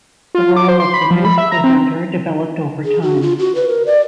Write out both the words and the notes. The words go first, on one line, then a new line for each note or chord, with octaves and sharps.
The role of the news presenter developed over time.
F4
D6
C5
C6
B5
F3
B5
E5
A#5
C4
G#4
F#4
F4
F#4
B4
A#4
D5